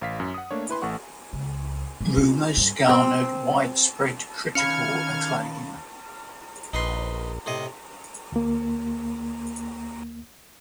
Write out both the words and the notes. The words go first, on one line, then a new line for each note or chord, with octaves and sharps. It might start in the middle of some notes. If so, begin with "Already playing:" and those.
"Rumours" garnered widespread critical acclaim.
A1 F5 B6
F#2
F#5 D#6
A3 A#3 D4 C#5
E4 B4 C6
A1 A3 F#5 C#6
C#2
G3
F4
G2
C4
D#3 C#4 F5 B5 F6 G#6 C#7
A#1 D#4 B4 C6
A2 C3 D#5
D2 A#3